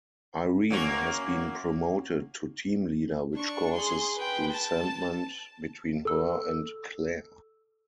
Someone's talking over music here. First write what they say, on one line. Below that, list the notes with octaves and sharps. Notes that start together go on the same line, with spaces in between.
Irene has been promoted to team leader which causes resentment between her and Clare.
F#2 A#3 C#5
D4 C#6
G#4 C6
B4 G5
A5
A4 E6